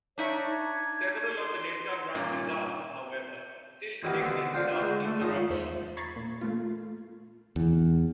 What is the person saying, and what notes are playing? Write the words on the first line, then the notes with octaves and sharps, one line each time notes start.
Several of the delta branches are, however, still connected without interruption.
D4 D#4 C#5 E5
G#6
C6
G2 A#2 C#4
A2 D#3 F#3 G3 A#3 B3
B2 D3 B3 C4
D4 F4 C5 F5 G5
D3 G#3
A3
G#2 D#3 F3 D#4 A5
E2 C5 E5
A#5 B5 C#6 G#6 A6 C7
A#2
A3 A#3 F4
E2